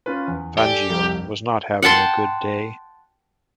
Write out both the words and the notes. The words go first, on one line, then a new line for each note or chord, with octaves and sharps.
Fangio was not having a good day.
C#4 F4 B4
E2
G4 A4 D5 G#5
C2 F2
F#5 G5 A5 C6